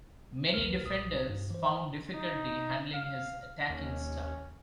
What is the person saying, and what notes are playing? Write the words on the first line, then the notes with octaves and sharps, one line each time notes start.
Many defenders found difficulty handling his attacking style.
A#1 D#2 D#3 A#4 B4 F6
B1 A#2 F#4 D#6
G2
E3 C5
D#4
F5
D#2 C#4